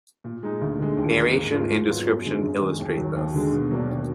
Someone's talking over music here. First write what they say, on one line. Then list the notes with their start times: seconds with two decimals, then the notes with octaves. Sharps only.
Narration and description illustrate this.
0.24 A#2
0.43 G#3 D#4
0.61 D2
0.79 D3 G#3
0.97 D#2
1.16 D#3 A#3 D#4
1.33 G#2
1.52 F3 A#3 F4
1.70 G#2
1.88 F#3 B3 F4
2.06 F#2
2.25 D3 G#3
2.43 F#2
2.61 D#3 G#3
2.80 D#2
2.97 D#3 F#3
3.16 D#2
3.34 D3 G#3
3.52 B2
3.71 F#3 A#3 D4
3.89 D#2